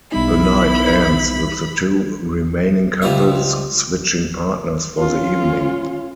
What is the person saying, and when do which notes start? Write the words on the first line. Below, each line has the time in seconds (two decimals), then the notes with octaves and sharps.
The night ends with the two remaining couples switching partners for the evening.
0.12 B1 G3 B3 D#4 E4 B5
3.02 C#2 F3 G3 C5 E5
4.98 C#4 F4